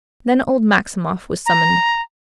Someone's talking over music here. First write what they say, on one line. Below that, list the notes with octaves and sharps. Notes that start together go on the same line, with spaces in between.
Then old Maximov was summoned.
A#5